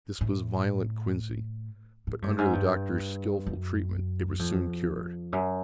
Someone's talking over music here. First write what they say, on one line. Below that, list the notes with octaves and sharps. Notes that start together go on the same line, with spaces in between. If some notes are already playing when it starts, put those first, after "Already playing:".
This was violent quinsy, but, under the Doctor's skilful treatment, it was soon cured.
A2
A2
G2
G#2
G2
F#2
F2
F#2